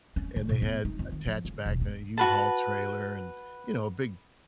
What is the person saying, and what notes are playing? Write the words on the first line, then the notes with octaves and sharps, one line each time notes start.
and they had attached back an U-Haul trailer and, you know, a big
C#4
C#3
A#2
B3
D#4
F2
D#3
F3
C#3
E1
B3
F#4 B4 A5